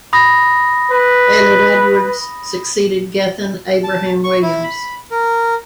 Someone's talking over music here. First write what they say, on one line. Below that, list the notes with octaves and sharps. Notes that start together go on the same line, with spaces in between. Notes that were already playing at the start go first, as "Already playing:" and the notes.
Aled Edwards succeeded Gethin Abraham-Williams.
B5 D#6 A#6
B4
A5
C#6
E4
B5
A#4